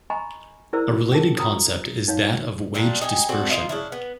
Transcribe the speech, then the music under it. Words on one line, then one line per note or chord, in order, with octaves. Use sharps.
A related concept is that of wage dispersion.
D#5 G#5 A#5 B5 C#6
E4 G#4 A#4 C5 D5 E6
C#4 G#4 A#4 A5
F4 A#5 D#6
D#4 C#5 F5
A#2 G3 A#3 D4
D#4 G4 G#5
C4 D4 F#4 A4
D#4 F4 D#5 F5
C#3 D4 E4
B3